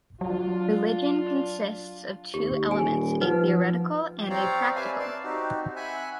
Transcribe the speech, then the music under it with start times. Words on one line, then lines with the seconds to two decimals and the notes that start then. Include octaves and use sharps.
Religion consists of two elements, a theoretical and a practical.
0.21 F#3 D4 F4
2.34 D#2 G4
2.71 D#1 G#5
3.21 F3 D#4 B4 F#5
4.18 G4
4.30 C4 G4 C#5 D5 F5 A#5
4.76 B4 D5 E5 F5 G#5 A5
4.99 D5 F5 A5 C6
5.23 C4 D#4 F#4 G4
5.76 E5 F#5 G#5 B5 F#6